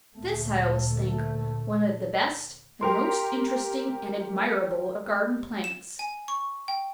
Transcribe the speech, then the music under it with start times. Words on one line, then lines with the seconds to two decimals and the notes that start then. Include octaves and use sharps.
This I always think one of the best and most interesting and admirable of garden-plants.
0.14 D2 A#2 A3
2.81 G4 A#4 C6
5.64 E7
5.99 G#5
6.28 C#6
6.68 G5